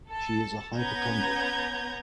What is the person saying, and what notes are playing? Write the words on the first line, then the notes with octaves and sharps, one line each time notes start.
She is a hypochondriac.
A4 A5
B3 C#4 A#5 G6 G#6